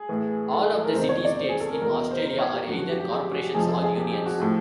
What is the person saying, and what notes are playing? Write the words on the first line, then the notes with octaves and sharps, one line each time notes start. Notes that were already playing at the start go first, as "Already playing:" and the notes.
All of the City States in Australia are either Corporations or Unions.
Already playing: G#4
A2 E3
A4
G#4
A4
A#4
E2 C3 D#3 C5
C#5
D5
C5
G#4
A4
A#4
E2 B2 A#4
C5
C5
C#5
G4
F#2 D3 F3 F#4
F#4
G4
G4
G#4
G4
F#4
G4
F2 C3 F3 G#4
A4
G#4
G4
G4
F#4
A2 F3 G4